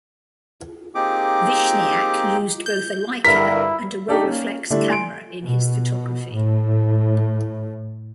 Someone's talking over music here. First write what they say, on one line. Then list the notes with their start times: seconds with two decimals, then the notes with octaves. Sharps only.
Vishniac used both a Leica and a Rolleiflex camera in his photography.
0.95 A#3 C4 D#4 G4 G#4 D6
2.66 G6
3.25 G2 D3 E4 A#4 B6
4.08 D4 D#4 G4 A4
4.24 A#3 C#4
4.70 D3 G3 A3 D4 E4
4.90 G#5 C6 D7
5.43 B2
6.34 A2